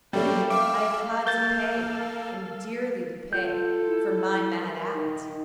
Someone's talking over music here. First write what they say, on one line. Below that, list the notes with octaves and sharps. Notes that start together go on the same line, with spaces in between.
I have had to pay, and dearly to pay, for my mad act.
F#3 G3 A3 A#3 C#4 C5 D5
E5 F5 D6 F6
A4 F5
A#3 G6 A6
F4 A4 G6
E4
A#4
D#3 D#4